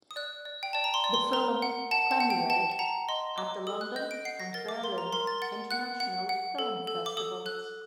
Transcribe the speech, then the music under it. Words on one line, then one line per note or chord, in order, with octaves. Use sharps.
The film premiered at the London and Berlin international film festivals.
D#6
D5 F#6
D5
G5
D5 A5
A#5
C6
D5
C6
A#4 A#5
F#5
F#5 A5
A5
F#5
G5
F#5 A5
A5
F#5 A#5
D#5 C6
D#5 D6
A4 D#6
F#6
D#5 G6
D7
F#5 C7
A#6
A#4 A6
D6
A#4 C6
A#5
A#4 C6
A6
F#5 A6
F#5 F#6
F#5
F#5
A4
A4
D6
A4 D#6
A4 F#6